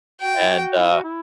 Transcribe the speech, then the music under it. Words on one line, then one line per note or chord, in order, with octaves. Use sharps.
and uh
F#4 G5
E4
F#4
E4
F#4
E4